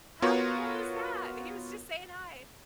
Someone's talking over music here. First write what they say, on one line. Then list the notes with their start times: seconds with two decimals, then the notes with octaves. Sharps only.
How cool is that? He was just saying "Hi!" and
0.22 B3 F4 F#4 A#4 C#5